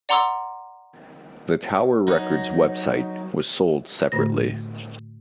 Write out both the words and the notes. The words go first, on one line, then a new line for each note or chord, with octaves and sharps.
The Tower Records website was sold separately.
D5 F#5 A#5 C6 D6 E6
F#3 D#4
A2 D3 A3 A#6